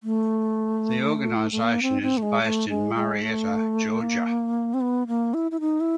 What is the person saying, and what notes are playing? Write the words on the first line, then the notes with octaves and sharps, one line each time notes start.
The organization is based in Marietta, Georgia.
A3
A3
A#3
C4
C4
A3
G#3
A3
G#3
G#3
A3
A#3
C4
B3
A#3
E4
E4
D#4
E4